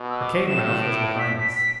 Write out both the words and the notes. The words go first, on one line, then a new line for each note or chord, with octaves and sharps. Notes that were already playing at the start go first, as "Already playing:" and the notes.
A cave mouth was behind us.
Already playing: B2
E6
D6
A2 E7
E7
D7
D7
B6
B6
B6